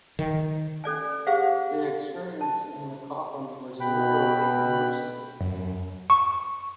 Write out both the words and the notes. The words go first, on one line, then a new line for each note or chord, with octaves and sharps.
The experience in the coffin was literally immersive.
D#3
C#4 A4 D5 G#5
G4 G#4 C5 F5 F#5
A5
B2 G5 B5 F#6
F#2
C#6